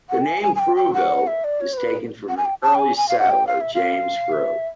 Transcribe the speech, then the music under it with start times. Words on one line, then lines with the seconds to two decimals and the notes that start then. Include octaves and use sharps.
The name Frewville is taken from an early settler James Frew.
0.09 F#5
0.21 G5
0.26 G#5
0.43 G#5
0.56 G#5
0.59 G5
0.76 G5
0.93 F#5
1.27 E5
1.44 D5
1.61 C#5
1.73 C5
1.78 B4
2.29 F#5
2.37 G#5
2.45 G5
2.62 A5
2.75 G5
2.79 G#5
2.97 G#5
3.09 F5
3.19 F#5
3.30 G5
3.47 F5
3.61 E5
3.74 F5
4.32 E5